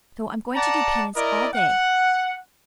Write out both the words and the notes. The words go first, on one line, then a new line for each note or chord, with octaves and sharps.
So I'm going to do penance all day.
D5 F#5 A5 A#5
E4 A#4 D5 D#5
F#5